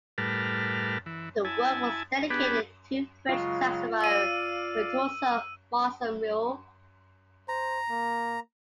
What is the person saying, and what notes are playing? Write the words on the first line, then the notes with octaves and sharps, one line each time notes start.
The work was dedicated to French saxophone virtuoso, Marcel Mule.
A2 G3 A#4 B4 A5 F6
E3
E4 G#5 A5
B3 D4 G4 G#4 B4
C#3 F#3 G#3 F4
D5 F5 E6 D#7
C5 A#5
A#3